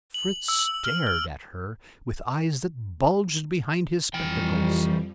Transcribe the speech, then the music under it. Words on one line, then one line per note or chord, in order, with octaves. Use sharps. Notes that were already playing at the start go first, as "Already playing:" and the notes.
Fritz stared at her with eyes that bulged behind his spectacles.
F#7
E6
F6
F6
F2 E3 F3 G3 G5